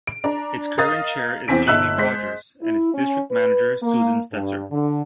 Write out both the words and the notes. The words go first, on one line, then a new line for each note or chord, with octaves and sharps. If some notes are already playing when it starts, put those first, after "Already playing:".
Its current chair is Jamie Rogers, and its district manager Susan Stetzer.
D7
D4 A#5
A#4 D#5 F5 D#6 A6
E2 E3 C4 G#5 B6 D7
G1 D#4 E5 E6 F#6 F#7
G#3 C5 B6
E4
C#4
B4
A#3
G2
D3